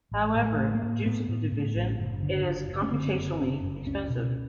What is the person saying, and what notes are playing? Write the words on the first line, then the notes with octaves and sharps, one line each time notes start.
However, due to the division, it is computationally expensive.
A1
A2
A3
A2
A#3
A2
A2 B3
A2
A2
A1
F#1
D3
F#1
F#1
C#4
D3 C4
F#1
F#1 C#4
F#1
C#2 C#4
B2